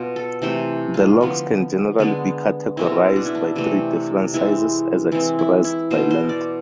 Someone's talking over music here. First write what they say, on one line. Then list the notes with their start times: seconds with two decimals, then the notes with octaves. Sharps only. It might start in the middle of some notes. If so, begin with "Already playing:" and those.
The locks can generally be categorized by three different sizes, as expressed by length.
Already playing: B2 B3 F4
0.16 A4
0.42 C3 E3 A3 C5
0.94 F4
1.21 D3 F3 B3
1.99 D3 G#3 B3
2.77 B2 G#3 C4 E4
3.16 D4
3.25 E4
3.35 D4
3.56 C3 E3 A3 C4
4.34 E3 G#3 C4 E4
5.12 E3 G#3 C4 E4
5.39 E4
5.65 E4
5.91 B2 B3 C5
6.11 C5
6.29 D5